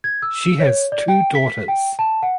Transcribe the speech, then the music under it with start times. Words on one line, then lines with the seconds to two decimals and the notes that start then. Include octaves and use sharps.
She has two daughters.
0.04 G#6
0.22 E6
0.60 C#5
0.92 D5
1.08 G5
1.35 B6
1.68 G5
1.99 A5
2.23 F#5